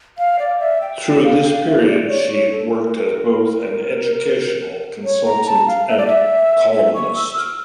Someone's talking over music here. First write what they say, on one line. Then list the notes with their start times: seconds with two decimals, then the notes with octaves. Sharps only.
Through this period she has worked as both an educational consultant and columnist.
0.18 F5
0.39 D5
0.59 E5
0.81 G5
1.23 F5
1.66 E5
1.83 E5
1.87 D5
2.08 C#5
2.30 C#5
2.50 A4
2.73 A4
2.78 A#4
2.97 A4
3.07 A#4
5.04 C#5
5.25 A#5
5.46 A5
5.67 F5
5.88 E5
5.98 D5
6.07 E5
6.73 E5
6.94 C#6
7.15 E6
7.37 F6